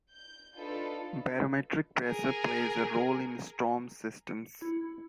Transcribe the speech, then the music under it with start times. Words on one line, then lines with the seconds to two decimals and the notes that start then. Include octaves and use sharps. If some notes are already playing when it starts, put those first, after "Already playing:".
Barometric pressure plays a role in storm systems.
0.12 G6
0.58 D4 D#4 F4 A4 B4
2.06 G#4 A#4
4.27 C#7
4.62 E4